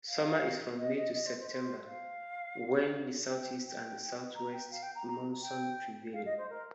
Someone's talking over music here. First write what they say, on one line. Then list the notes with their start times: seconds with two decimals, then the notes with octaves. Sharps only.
Summer is from May to September, when the southeast and southwest monsoon prevailing.
0.08 F5
0.79 D#5
0.97 D#5
1.15 D#5
1.26 C5
1.39 C5
1.50 C5
1.87 F5
3.28 G5
3.64 G5
4.35 A#5
4.53 G5
4.71 F5
4.83 G5
4.95 A#5
5.07 A#5
5.42 G5
6.13 F5
6.25 D#5
6.38 C5
6.50 A#4